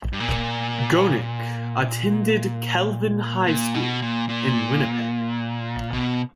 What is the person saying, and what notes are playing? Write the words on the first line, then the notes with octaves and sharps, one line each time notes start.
Gonick attended Kelvin high school in Winnipeg.
G2
A#2
A#2
B2
A#2
A#2
B2